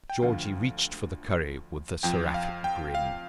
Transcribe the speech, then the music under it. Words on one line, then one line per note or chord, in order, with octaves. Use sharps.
Georgie reached for the curry, with a seraphic grin.
G5
D2 D3 F3 F5
F2 F3 G5
F5
G5
F5